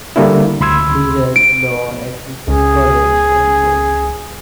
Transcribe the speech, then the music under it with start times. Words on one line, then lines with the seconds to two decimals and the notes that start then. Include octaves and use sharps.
He read law at Jesus College, Oxford.
0.16 D3 G3 A#3 D4 E4
0.61 D2 B5 C6 E6 G#6
1.36 D7
2.48 C#2 G#4